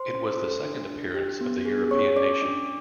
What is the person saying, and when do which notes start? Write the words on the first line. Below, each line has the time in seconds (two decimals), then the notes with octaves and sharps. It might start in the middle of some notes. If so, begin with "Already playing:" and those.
It was the second appearance of the European nation.
Already playing: C5 C6
0.13 C#4
0.39 A4
0.65 D4
0.90 D4
1.15 G4
1.41 B3
1.65 G#4
1.91 C#4 C#5 C#6
2.16 C#4 D5 D6
2.41 D4 D5 D6